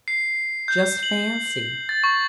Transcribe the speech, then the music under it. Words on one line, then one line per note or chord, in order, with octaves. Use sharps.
Just fancy!
C7
G6
F#7
A6
C#6